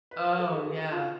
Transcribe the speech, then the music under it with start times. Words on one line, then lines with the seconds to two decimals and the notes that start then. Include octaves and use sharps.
Oh, yeah.
0.11 B4
0.25 B4
0.38 A4
0.46 F#4
0.52 G#4
0.65 G#4
0.79 G#4
0.92 F4
1.00 F#4